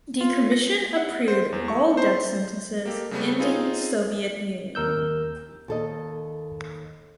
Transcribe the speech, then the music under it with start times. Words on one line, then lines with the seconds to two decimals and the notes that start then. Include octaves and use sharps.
The Commission approved all death sentences in the Soviet Union.
0.21 F4
0.52 A#6
0.96 F#5
1.28 C5
1.52 E2
1.68 C#6
1.97 C5
2.86 A#3 G4 A4
3.11 C#3 G3 A3 B3
3.39 C4 D#4 F4 G#4
4.75 D#2 A#4 E6 G6
5.68 D#2 A4 D#5